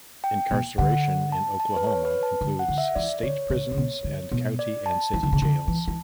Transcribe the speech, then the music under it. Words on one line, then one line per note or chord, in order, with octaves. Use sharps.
Incarceration in Oklahoma includes state prisons and county and city jails.
G5
B2
D3 F#5
A5
A5
B4
C#5
B4
A5
D3
F#5
D3
E5
E3 D5
D3 C#5
C#3
C#3
B2
D3
B2
D5
A5
E3
D3
C#3
D3
E3
E3